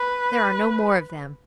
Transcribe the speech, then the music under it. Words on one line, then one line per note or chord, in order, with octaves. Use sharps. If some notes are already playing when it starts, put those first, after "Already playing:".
"There are no more of them."
Already playing: B4